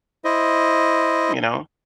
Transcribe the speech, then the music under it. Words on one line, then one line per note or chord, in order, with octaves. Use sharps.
you know,
E4 C5 D#5